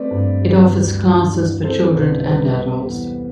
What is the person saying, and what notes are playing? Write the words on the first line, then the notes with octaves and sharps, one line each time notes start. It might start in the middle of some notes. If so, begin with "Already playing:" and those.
It offers classes for children and adults.
Already playing: A3 C4 B4 D5
G2
G3
D2
D2
E3
C4 A4 C5
C2 B4
G3 B4
B3
E2